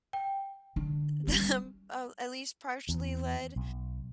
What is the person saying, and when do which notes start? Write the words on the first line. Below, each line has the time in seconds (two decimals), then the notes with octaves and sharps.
them uh, at least partially led,
0.13 G5
0.76 D3
1.27 G3 C#4
2.89 E2
3.56 B1